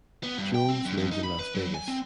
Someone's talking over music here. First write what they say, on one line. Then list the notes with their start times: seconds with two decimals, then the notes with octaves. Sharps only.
Jones lives in Las Vegas.
0.23 B3
0.38 G2
0.55 G5
0.69 C4
0.85 F#2
0.98 F2
1.12 D#4
1.23 B5
1.39 B4
1.55 F#3
1.74 G#5
1.88 C4